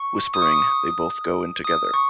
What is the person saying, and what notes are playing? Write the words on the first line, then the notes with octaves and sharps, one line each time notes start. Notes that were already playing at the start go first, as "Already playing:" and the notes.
Whispering, they both go in together.
Already playing: C#6
D#6
C#6
D#6
D#6
C#6